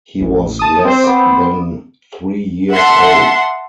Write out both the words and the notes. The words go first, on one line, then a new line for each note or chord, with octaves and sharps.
He was less than three years old.
A1
A5 D#6
C4 C5
B3 D6
E5 F#5 A5 C6